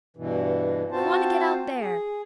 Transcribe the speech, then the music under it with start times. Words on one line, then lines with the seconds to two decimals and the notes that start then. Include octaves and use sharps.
We want to get out there.
0.17 G2 B2 E3
0.91 C4 F4 F#4 C5 A5
1.80 G#4